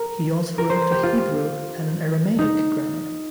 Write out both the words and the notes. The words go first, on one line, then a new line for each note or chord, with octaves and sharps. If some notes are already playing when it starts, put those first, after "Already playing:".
He also wrote a Hebrew and an Aramaic grammar.
Already playing: A#4
A#4
C5
G4
F4
D#4